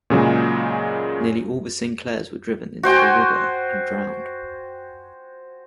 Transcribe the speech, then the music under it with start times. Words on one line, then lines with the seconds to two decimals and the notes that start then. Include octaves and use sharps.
Nearly all the Sinclairs were driven into the river and drowned.
0.10 A#2 C#3 F#3 G#3
2.83 F#4 C5 G5 G#5